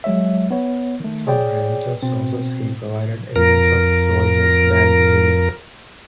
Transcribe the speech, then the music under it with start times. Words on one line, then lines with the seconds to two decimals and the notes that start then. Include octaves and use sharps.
From a range of sources he provided evidence of the soldiers' bad behaviour.
0.04 F#3 G#3 C#5 E5
0.51 B3 C#5
1.00 D#3 A3
1.27 G#4 C#5 D5 G5
2.03 B2 C4
3.36 F2 A#4